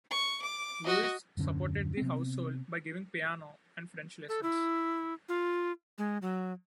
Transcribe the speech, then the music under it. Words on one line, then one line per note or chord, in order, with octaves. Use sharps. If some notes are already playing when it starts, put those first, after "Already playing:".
Luise supported the household by giving piano and French lessons.
C#6
D6
F#4 D#5
D#1 F#2 D3 C#4
C3 B3 C4
A4
E4
F4
G#3
F#3